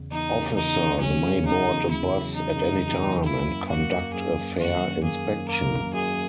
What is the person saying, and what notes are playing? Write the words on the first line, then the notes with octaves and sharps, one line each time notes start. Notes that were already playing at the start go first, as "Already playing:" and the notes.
Officers may board a bus at any time and conduct a fare inspection.
Already playing: E2 C#3
E2 D#4
C#3
E2 D#4
C#3
F#3 C#4
C#3
C#3 D#4
E2
E2 E4
F#3
E2 D#4
C#3
E2
E2
A#3 E4
F#2
A#3 F#4
A#3
F#2 G#4
F#2
D#3 F#4
F#2
A#3 G#4
F#2
A#3 A#4
F#2
F#2 G#4